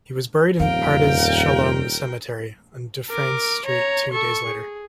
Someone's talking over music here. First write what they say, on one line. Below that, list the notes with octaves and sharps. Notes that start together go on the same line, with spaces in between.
He was buried in Pardes Shalom Cemetery on Dufferin Street two days later.
D#1 F2 A#4 F5 G5
A#4 D6
C#5 A#5
A4 C#6
G#4